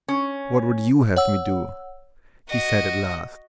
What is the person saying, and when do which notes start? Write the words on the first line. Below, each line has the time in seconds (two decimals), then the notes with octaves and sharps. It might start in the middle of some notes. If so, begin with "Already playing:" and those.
"What would you have me do?" he said at last.
0.08 C#4
1.16 C#5 F#5 E6
2.48 F#4 D#5